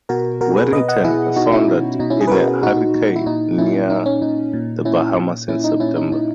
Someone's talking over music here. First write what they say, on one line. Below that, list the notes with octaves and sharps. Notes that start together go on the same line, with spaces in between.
"Warrington" foundered in a hurricane near the Bahamas in September.
B2 F#4 A#4
B2 F#4 A#4
G#4 B4
B2 B4 D#5
D#5 F#5
B2 E4 G#4
B2 D#4 F#4
C#4 E4
B2
B2 D#4
C#4 E4
E4 G#4
B4
B2 F#4 A#4
A#2 D#4 F#4
A#2
E4
A#2 D#4
A#2 C#4 E4
A#2 D#4
C#4
A#2 D#4
A#2
A#2 C#4 E4
A#2
A#2 C#4 E4
D#4
A#2 C#4 E4
D#4
A#2 D#4